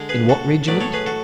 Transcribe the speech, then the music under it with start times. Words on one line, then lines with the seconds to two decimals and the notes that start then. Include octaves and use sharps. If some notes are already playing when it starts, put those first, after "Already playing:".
In what regiment?
Already playing: D3 G#3
0.09 G#4 B4
0.29 F#4 A4
0.67 A2 F#3 A3 B4 D5
0.80 A4 C#5
0.94 G#4 B4
1.06 F#4 A4